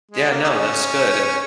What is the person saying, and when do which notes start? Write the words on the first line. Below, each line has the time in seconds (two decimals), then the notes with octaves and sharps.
Yeah, no, that's good.
0.11 G#3
0.31 A#3
0.44 D#4
0.49 C#4